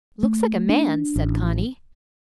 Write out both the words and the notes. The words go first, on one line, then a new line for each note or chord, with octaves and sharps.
"Looks like a man's," said Conny.
A3
D4
A1